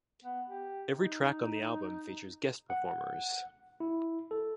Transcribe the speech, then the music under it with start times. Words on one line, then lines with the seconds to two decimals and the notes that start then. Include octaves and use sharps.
Every track on the album features guest performers.
0.24 B3
0.49 G4
0.95 D#4
2.70 F#5
3.80 E4
4.31 A4